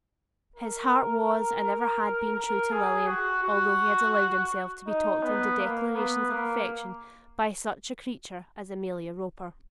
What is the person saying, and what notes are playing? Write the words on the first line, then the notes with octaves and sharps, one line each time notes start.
His heart was and ever had been true to Lilian, although he had allowed himself to be talked into declarations of affection by such a creature as Amelia Roper.
A#4
A#4
G#4
F#4
F#4
D#4
B3
A#3
B3
A#3